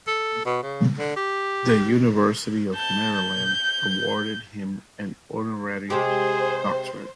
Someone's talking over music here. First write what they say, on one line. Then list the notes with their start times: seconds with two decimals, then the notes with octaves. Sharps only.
The University of Maryland awarded him an honorary doctorate.
0.07 A4
0.45 B2
0.63 C#3
0.98 D3
1.17 G4
2.75 A5 G6
3.17 G6
5.90 C3 G#3 G4 G#4 C5